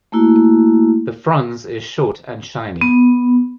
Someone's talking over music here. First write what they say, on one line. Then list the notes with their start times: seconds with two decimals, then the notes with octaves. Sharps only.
The frons is short and shiny.
0.12 A3 A#3 E4 F#4
2.81 B3